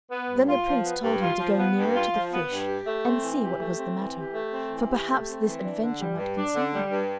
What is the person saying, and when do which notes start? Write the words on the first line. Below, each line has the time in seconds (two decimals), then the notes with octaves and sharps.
Then the Prince told him to go nearer to the fish, and see what was the matter, for perhaps this adventure might concern him.
0.11 B3
0.29 G2
0.48 F4
0.66 F3
0.85 B3
1.03 G2
1.21 F4
1.39 F3
1.58 B3
1.77 G2
1.95 F4
2.14 F3
2.32 B3
2.51 G2
2.68 G4
2.87 A3
3.05 C4
3.24 E3
3.42 G4
3.60 A3
3.78 C4
3.97 E3
4.16 G4
4.34 A3
4.52 C4
4.71 E3
4.88 G4
5.08 A3
5.26 C4
5.44 E3
5.62 D4
5.81 D3
5.99 G3
6.17 G2
6.36 D4
6.55 D3
6.73 G3
6.91 G2